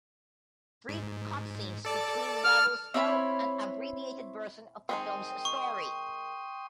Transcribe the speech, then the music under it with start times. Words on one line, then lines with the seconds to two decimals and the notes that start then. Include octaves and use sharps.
Brief cutscenes between levels tell an abbreviated version of the film's story.
0.88 G#2
1.85 A4 D5 A5
2.44 F6
2.94 C4 E4 C#5 B5
4.89 D#3 G#3 C4 G5 C6 D#6
5.45 C#6